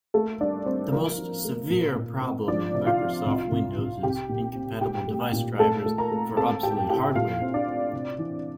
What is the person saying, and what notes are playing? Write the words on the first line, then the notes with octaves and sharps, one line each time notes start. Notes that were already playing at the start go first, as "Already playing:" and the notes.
The most severe problem in Microsoft Windows is incompatible device drivers for obsolete hardware.
A3 A#3 A4
G3 D4 D5
G3 C4 C5
F3 A#3 A#4
F3
A3
A#2
A#2
C4
F3 D4 D5
C3
F4 F5
F3
C2
C2
C2
C2 G4 G5
A#2
C4
A#2 G4 G5
A3
A#2
A3 A4 A5
A3
A#4 A#5
A3
C4 A4 A5
A2 G4 G5
A2 G4 G5
A#2 F4 F5
C4
D4 D5
C4
C3
E3